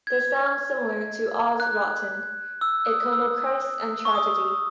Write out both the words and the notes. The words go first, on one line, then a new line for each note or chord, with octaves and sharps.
They sound similar to Aus Rotten, Econochrist and Tragedy.
G#6
F#6
E6
D#6
E6
C#6
D#6